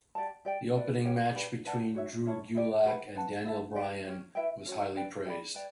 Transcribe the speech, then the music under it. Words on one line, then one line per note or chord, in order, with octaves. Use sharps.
The opening match between Drew Gulak and Daniel Bryan was highly praised.
G4 D5 F#5 A5
G4 D5 G5
B4 D5 F#5
C#4 G4 C#5 F#5
D4 G4 B4
B4 D5 F#5 A5
F#4 C#5 E5
C#4 E4 A4 C#5
E4 G4 D5
G4 B4 F#5
B4 F#5 A5
E4 A4 E5 A5
G4 D5 F#5
C#4 G4 C#5
E4 B4 E5 G5
C#4 F#4 C#5
B4 D5 G5
G4 D5 F#5 B5
B4 D5 G5